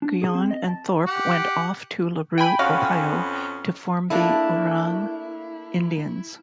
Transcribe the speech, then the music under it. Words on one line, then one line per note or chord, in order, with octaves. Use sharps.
Guyon and Thorpe went off to LaRue, Ohio to form the Oorang Indians.
D4
G#4
C4
D#5
A5
G4 F#5 D6
G5 G#5 B5
F2 B3 C#4 F#4 C#5 F5
A3 A#3 D4 E4